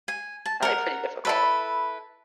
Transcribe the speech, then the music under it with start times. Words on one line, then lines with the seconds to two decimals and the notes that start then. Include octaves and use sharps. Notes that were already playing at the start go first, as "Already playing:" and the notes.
probably pretty difficult.
0.08 G#5
0.45 A5
0.63 A#4 F#5
1.25 E4 A4 B4